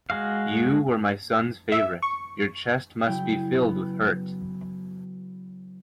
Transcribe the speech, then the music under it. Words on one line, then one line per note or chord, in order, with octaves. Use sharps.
You were my son's favorite, your chest must be filled with hurt.
G#3 F#4 F5
E5
C#6
C#3 F#3 E4 G5
B3